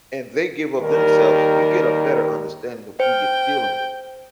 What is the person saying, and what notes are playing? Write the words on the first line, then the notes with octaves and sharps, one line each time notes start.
and they give up themselves, you get a better understanding of who you're dealing with.
D#2 D#3 G3 A#4
C5 G5